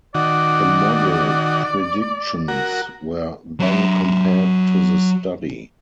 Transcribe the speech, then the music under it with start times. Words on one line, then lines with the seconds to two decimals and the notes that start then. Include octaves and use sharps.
The model predictions were then compared to the study.
0.15 D#3 F#4 D5
2.48 F#4 A#4
3.60 F#3 E5